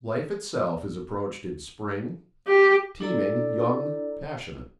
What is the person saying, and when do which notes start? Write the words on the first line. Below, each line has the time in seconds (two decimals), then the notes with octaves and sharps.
Life itself is approached in spring, teeming, young, passionate.
2.48 G4
3.00 D4 E4 A4 D5 A#5